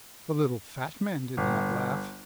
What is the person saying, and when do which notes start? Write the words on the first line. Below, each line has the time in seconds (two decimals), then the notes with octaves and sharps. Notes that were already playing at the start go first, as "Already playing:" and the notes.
The little fat man did not laugh.
1.37 G1